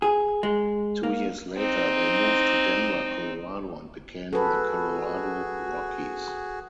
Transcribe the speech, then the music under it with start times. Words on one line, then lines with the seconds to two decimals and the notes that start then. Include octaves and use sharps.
Two years later, they moved to Denver, Colorado, and became the Colorado Rockies.
0.02 G#4
0.43 G#3
1.03 A#3
1.56 C4 D#4
4.33 F#4 G#4 A4 B4